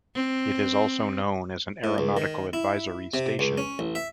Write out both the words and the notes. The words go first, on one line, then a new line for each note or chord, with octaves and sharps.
It is also known as an Aeronautical Advisory Station.
C4
A2
C#2
D#3
E4
C3
C#2
C#4
A1
E5